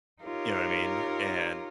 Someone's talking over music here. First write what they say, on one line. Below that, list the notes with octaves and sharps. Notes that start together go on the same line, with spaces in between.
you know what I mean, and
D#4 F4 G4 A#4 C#5